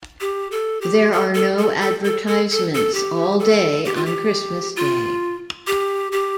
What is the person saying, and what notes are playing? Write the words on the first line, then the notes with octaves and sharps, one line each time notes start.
There are no advertisements all day on Christmas Day.
G4
A4
G4
A4
A4
A4
A4
A4
A4
A4
A4
G4
A4
G4
F4
G4
F4
G4
G4